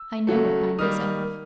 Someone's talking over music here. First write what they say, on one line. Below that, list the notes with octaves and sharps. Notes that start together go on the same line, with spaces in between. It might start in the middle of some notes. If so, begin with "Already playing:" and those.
I know it by myself.
Already playing: E6
C#3 F#3 A3
D#3 G3 A#3 D#6 F6